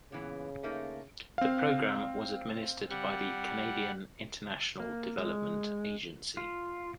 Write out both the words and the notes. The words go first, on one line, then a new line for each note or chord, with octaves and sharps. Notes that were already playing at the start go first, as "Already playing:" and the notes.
The programme was administered by the Canadian International Development Agency.
A#2 C#3 E3 B3
A3 A#3 D#4
C4 F5
G3 F#5
A#3
G#3
F4